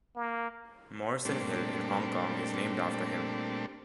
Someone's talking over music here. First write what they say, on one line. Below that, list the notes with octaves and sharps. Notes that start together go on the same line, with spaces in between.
Morrison Hill in Hong Kong is named after him.
A#3
A#2 G3 A3 C4 D4